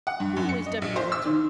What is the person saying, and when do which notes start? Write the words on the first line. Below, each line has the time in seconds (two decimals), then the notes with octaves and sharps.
Who is W. Windsor?
0.07 F#5
0.20 G2
0.37 F#2
0.49 C#7
0.66 D#5
0.82 A#1
0.96 C5
1.12 E6
1.25 D#3